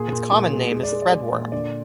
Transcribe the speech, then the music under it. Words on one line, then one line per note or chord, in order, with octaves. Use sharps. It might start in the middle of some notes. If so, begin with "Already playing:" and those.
Its common name is threadworm.
Already playing: A#2 G#4
A#2
A#2
G#3
G#3
D5
G#3
D5
G#3
A#2
D3 D5